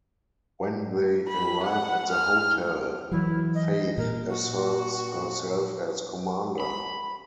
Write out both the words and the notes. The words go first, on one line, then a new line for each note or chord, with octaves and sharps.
When they arrive at the hotel, Faith asserts herself as commander.
B5
F#5
F6
E3 F#3 E4
D#5
A#2 A#4
F#4
B5